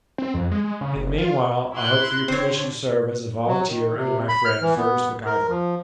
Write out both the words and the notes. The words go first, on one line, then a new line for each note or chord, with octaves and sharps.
In the meanwhile, I hope for your permission to serve as a volunteer under my friend Fergus Mac-Ivor.'
C4
F2
G#3
G#3
C#3
F#1
F4
E4 C6 F#6
D3 C4 C5 C#5
F#3
D#3
C3
B5
F6
E3
B3
A#4
F3